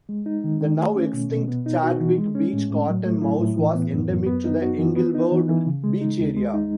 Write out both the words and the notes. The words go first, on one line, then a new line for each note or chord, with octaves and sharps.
The now extinct Chadwick Beach cotton mouse was endemic to the Englewood Beach area.
G#3
D#4
D#3
D#3
A3
C#4
B2
B2
B3
D#4
F#4
E3
G#3
C#4
A2
A2
F#3
A3
E4
A2
E3
B3
F#2
F#2
B3
D#4
F#4
E3
B3
D#4
E3
E3
C#3
G#3
D#4
D#2
G#3
D#4